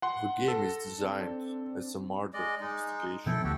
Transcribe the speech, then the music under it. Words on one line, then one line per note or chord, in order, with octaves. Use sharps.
The game is designed as a murder investigation.
F#5 C6
A4 A#6
C4 D4
G#3 D5 D#5
G#3 D#4
B2 F3 B3 E4 A4 G5
D2 F#4 G4 A4